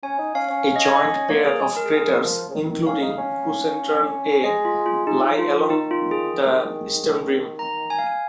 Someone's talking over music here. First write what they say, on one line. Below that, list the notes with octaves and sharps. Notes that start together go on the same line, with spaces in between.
A joined pair of craters, including Krusenstern A, lie along the eastern rim.
C#4 G#5
D#4
C#4 F5
C#4
F5
D#5
C#5
D#5
A#3 C#5
G#4
G#3 G#4
A#4
G#4
G#3
A#4
D#3
F3
C#3
D#3
D#3
C#4 F5
D#4
C#4
G#3 D#5
F4
F4
G#3 D#4
F3
F4
F3
D#3 D#4
F4
G#4
A#5
G#5
F5
G#5